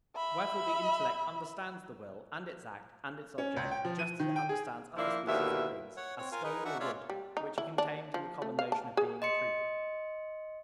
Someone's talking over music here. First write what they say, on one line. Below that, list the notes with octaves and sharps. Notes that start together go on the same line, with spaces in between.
Wherefore the intellect understands the will, and its act, and its object, just as it understands other species of things, as stone or wood, which are contained in the common notion of being and truth.
E5 B5
C#4
C#2
G5
F3
D#7
D#3
G5
G#4
F3 A#3 D4 E4
D#2 B2 D3 E4 E5
C#5 F#5
C4 C#5
F4 A#4 F5 G#5
D#4 G#4 A#4 B4
D4 D#4 F#4 E5 F#5 C#6
G#3 F4 C#5 D5 E5 F5
G3
D#4
E4
D4
F3
A3
F5
A5
G#4
D#5 C6 C#7